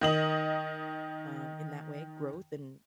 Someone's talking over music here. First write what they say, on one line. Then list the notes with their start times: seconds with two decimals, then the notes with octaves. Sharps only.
um, in that way, growth and
0.01 D#3 D#5 F#7